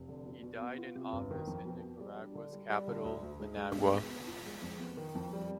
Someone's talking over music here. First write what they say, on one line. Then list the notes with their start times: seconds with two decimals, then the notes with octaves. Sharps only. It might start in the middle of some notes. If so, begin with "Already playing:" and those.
He died in office in Nicaragua's capital Managua.
Already playing: F1
0.09 D3
0.26 B2
0.42 B2
0.61 B3
0.78 F4
0.95 C3
1.12 G1
1.31 D#3
1.48 F2
1.65 B2
1.82 B2
2.00 G3
2.17 D4
2.35 D3
2.52 G3
2.70 G3
2.88 D3
3.04 D2
3.22 D2
3.39 G#3
3.57 G#3
3.75 B2
3.93 B3
4.09 B3
4.27 F4
4.45 G#3
4.62 F2
4.79 B3
4.97 D#3
5.15 F2
5.33 G3